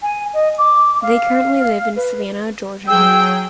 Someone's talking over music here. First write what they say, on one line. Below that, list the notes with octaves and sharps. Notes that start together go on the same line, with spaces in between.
They currently live in Savannah, Georgia.
G#5
D#5
D6
F5
B4
F#3 G#4 G5 E6 G6